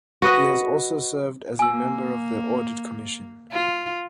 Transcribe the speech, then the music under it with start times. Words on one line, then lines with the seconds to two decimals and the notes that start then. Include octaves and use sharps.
He has also served as a member of the Audit Commission.
0.22 F#4 B4 D#5 F#5
1.59 A#3 G#5 E6
3.52 F4